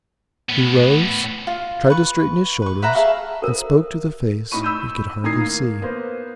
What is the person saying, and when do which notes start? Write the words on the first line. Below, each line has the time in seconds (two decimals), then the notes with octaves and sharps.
He rose, tried to straighten his shoulders, and spoke to the face he could hardly see.
0.49 A2 B3
1.47 F4
1.90 B4 C#6
2.62 B4 C#6
2.82 B4 E5 F#5 A#5
2.95 G#4 A4 E5 F5
3.42 A4 A#4
4.52 A2 D#4 B5 C#6 D#7
4.63 B5 E6 G6 D#7
5.24 A2 D#3 A#5 D#6 G#6 C7
5.41 A#3
5.82 A#3 B3 C5